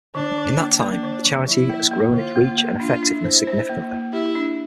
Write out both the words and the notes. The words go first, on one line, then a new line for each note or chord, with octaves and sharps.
In that time the charity has grown its reach and effectiveness significantly.
D3 D4
D3
A#3
A#3 D4
D3
F3
F3 E4
A#3
A#3
D3 F4
A#3
A#3
D4 F4
D4
E4
C5
C5
A#3
A#3
E4 G4
D4